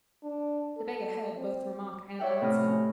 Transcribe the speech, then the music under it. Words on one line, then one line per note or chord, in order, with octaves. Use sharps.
The beggar heard both remark and answer.
D4
A4
C4
C#5 D5 E5 F#5 G5
A2 C3 D#5 F6
C#4